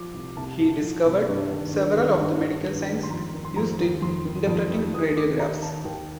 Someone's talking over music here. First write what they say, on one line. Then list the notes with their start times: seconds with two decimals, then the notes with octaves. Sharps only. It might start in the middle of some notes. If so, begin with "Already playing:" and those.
He discovered several of the medical signs used in interpreting radiographs.
Already playing: F3 D6
0.14 C2
0.36 C2 A5
0.60 A#2
0.82 F3
1.05 C2
1.28 G2
1.51 D#3
1.73 G2
1.96 D#3
2.19 G2
2.42 D#3
2.66 G2
2.88 D#3
3.03 C6
3.10 F2 A#5
3.34 D#3
3.45 C6
3.56 F2 A#5
3.79 D#3
4.02 F2 C6
4.25 D#3
4.47 F2
4.70 D#3
4.94 D#2 D#6
5.16 D#3 D6
5.39 D#2 A#5
5.62 D#3 A5
5.85 D#2 G5